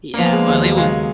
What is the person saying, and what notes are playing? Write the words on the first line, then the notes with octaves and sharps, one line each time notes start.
Yeah, well, it was
A#3
F3 B3
A#3
G#3
D#2 G#3
F#3
C#3 G#3